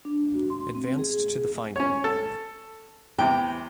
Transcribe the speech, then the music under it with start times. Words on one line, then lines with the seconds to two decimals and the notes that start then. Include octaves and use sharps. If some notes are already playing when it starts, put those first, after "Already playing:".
Advanced to the Final.
0.05 D4
0.34 F#4
0.50 C6
0.75 C4
0.99 G#4
1.76 C#4 C#5
2.04 A4
3.18 E2 C3 G5